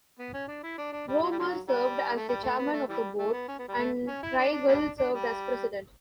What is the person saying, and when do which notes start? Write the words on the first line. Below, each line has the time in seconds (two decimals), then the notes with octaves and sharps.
Roemer served as the chairman of the board and Traigle served as president.
0.19 B3
0.34 C#4
0.48 D4
0.63 E4
0.78 D4
0.93 D4
1.08 G3
1.23 F#3
1.32 G3
1.39 D3 F#3
1.69 G3
2.17 A3
2.29 G3
2.43 A3
2.59 B3
2.73 A3
2.89 E3 G3
3.19 A3
3.33 B3
3.48 C#4
3.59 B3
3.69 G3
3.79 A3
4.08 C#4
4.23 E4
4.38 D4
4.53 D4
4.68 G3 B3 D4
4.98 D4
5.13 G3